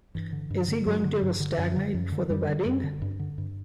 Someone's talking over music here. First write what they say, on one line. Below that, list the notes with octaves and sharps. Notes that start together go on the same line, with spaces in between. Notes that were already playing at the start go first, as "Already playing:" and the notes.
Is he going to have a stag night before the wedding?
G2 E3
D3
G2
D3
G2 F#3
D3
G2
D3
F#2
D3
F#2
D3
F#2 G3
D3
F#2
D3
G2
D3
G2